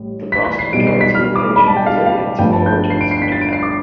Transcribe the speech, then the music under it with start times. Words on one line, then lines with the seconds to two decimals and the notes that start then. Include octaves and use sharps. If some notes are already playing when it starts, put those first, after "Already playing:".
The vast majority of Asian Brazilians have origins in Japan.
Already playing: A1 A2 G3
0.32 B6
0.45 B6
0.59 C7
0.73 B1 B2 G3 D7
0.87 C7
1.01 B6
1.15 F6
1.36 D6
1.56 B5
1.67 A5
1.77 G5
1.86 F5
2.06 F5
2.39 G1 G2 F3 A3 G5
2.53 A5
2.66 G6
2.90 C7
3.01 D7
3.11 C7
3.22 B6
3.32 A6
3.41 D7
3.53 C7
3.63 D6